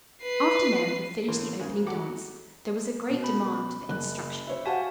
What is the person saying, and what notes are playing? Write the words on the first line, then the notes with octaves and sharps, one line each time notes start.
After Mary had finished the opening dance there was a great demand for instruction.
B4 C7
A2 E3 A#3 A#4 C6
G#2 C#3 A#3 G#5
F#3 F#4 G4 A4 F#5 D6
B2
C#4 B5
F#1 F#6
C5 C#5 E5
F#4 G4 F5 F#5 G#5 A5